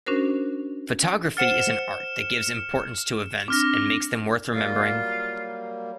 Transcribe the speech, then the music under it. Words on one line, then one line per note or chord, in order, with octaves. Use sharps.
Photography is an art that gives importance to events and makes them worth remembering.
C#4 D4 F#4 A#4 C5
C5 F#5 F6 A6 C#7 E7
C4 D4 D6 F6 A#6
F#3 G3 A#3 F4